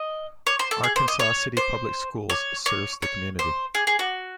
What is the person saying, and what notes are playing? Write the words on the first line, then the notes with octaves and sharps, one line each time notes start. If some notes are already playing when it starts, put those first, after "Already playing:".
Arkansas City Public Schools serves the community.
Already playing: D#5
C#5
C5
A4
G#4
C5
D#5
C#5
C5
C#5
C#5
C#5
C5
G#4
G#4
F#4